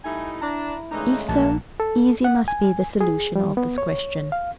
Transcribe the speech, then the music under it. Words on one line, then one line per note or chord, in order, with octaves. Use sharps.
If so, easy must be the solution of this question.
G3 A3 D#4 E4 G#5
D4 A#5
C#3 E3 G#3 A3 D4 D#4 A#5
A#1 F#3 A#3 A5
A4
F#5
G#5
G#4
G3
B3
C#5
F5